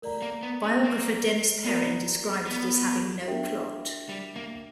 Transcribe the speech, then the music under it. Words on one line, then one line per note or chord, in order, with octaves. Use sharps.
Biographer Dennis Perrin described it as having no plot.
A#4 D5 A#5
A#3
B3
C#4
A#3
B3 F#4 A#4 D5 A#5
B3
D4 F#4 A#4 E5 G5
G3
A#3